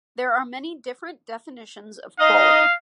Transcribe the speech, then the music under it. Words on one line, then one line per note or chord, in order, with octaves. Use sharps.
There are many different definitions of quality.
D#4 D#5 F5